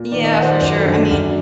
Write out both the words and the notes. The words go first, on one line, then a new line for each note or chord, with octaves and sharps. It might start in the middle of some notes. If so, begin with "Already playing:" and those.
Yeah, for sure, I mean,
Already playing: A#2
D#3 D5
D#5
D#3 F#5
C5
D5
F#2 C5
A4
D3
D4
F#2 D4